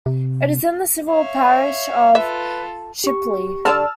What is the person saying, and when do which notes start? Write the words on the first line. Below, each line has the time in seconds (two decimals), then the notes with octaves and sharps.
It is in the civil parish of Shipley.
0.06 C3
1.10 C#5 E5 F5
2.15 F4 A4 B4 E5
3.04 G4 C#6
3.65 D3 D#4 D5 A5 E6 F6